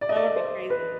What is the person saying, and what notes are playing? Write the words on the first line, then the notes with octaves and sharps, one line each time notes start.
That would be crazy.
D5
D#5
D5
C5
B4